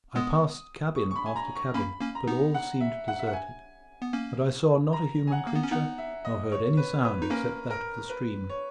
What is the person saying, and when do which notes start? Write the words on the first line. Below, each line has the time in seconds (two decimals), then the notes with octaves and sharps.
I passed cabin after cabin, but all seemed deserted; and I saw not a human creature, nor heard any sound except that of the stream.
0.16 G#3 B3 D#6
0.96 C#6
1.11 C#6
1.16 B5
1.26 G#5
1.36 A#5
1.55 C#6
1.74 A#3 C#4 B5
2.01 A#3 C#4
2.15 A#5
2.28 B3 D#4
2.54 F#5
2.81 E5
3.08 F#5
3.19 E5
3.27 F#5
3.33 G#5
4.02 B3
4.13 A#3 C#4
4.93 A#5
5.27 G#5
5.32 F#5
5.47 A#3
5.55 B3
5.63 C#4
5.71 B3 D#4 F#5
5.98 E5
6.25 D#5
6.52 C#5
6.77 B4
7.05 B4
7.22 D#4
7.30 A#3 C#4 A#4
7.70 A#4
8.09 B4
8.50 C#5